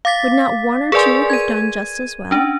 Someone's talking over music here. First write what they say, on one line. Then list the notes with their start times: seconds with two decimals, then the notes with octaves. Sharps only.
Would not one or two have done just as well?
0.05 F5 D6 A6 B6
0.92 G#4 A#4 B4 D5 G#5 C6
1.30 G#6 D#7
2.31 C#4 D4